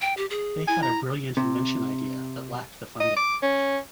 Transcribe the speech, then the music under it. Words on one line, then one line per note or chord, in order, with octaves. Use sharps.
They had a brilliant invention idea but lacked the funding.
G5
G4
G#4
E4 G#5
A#5
C3
D#5
D6
C#4